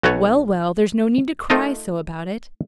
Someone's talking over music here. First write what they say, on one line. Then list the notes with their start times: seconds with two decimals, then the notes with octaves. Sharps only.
"Well, well, there's no need to cry so about it."
0.03 B1 F#4 A4 B4 C#5
1.50 A3 D#4 F4 A4 A#4 D#5